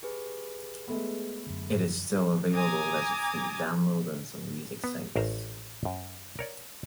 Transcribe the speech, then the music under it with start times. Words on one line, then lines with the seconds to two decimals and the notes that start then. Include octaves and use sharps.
It is still available as a free download on some music sites.
0.03 G4 G#4 B4
0.88 G#3 A3 B3
1.46 F#2 D3
2.53 G#5 A#5 D6 D#6 G#6
4.84 B3
5.16 A1 A#4 C5 A#5
5.85 F#2
6.39 A#4 C#5 D5